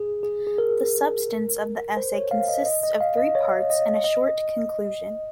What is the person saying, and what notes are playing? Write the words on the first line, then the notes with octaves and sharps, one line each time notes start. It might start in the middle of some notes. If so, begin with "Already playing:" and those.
The substance of the essay consists of three parts and a short conclusion.
Already playing: G#4
G#4
G#4
A#4
C5
C#5
F5
D#5
D#5
D#5
F5
D#5
C#5
D#5
D#5